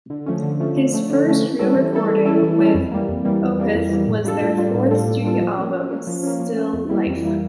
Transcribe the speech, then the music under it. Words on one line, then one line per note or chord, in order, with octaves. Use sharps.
His first real recording with Opeth was their fourth studio album, "Still Life".
D3
F3 A3 C#4
D3
F3 A3 C#4
D3
F3 A3 C#4
D3
F3 A3 C#4
E3
G3 C#4 E4 A4
E3
G3 C#4 E4 A4
E3
G3 C#4 E4 A4
E3
G3 C#4 E4 A4
F2
E3 G3 A#3
F2
E3 G3 A#3
F2
E3 G3 A#3
F2
E3 G3 A#3
A2
G3 D4 F4 A4
A2
G3 D4 F4 A4
A2
G3 D4 F4 A4
A2
G3 D4 F4 A4
F3
A#3 C#4
F3
A#3 C#4
F3
A#3 C#4
F3
A#3 C#4
F2
E3 G3 A#3 E4
F2
E3 G3 A#3 E4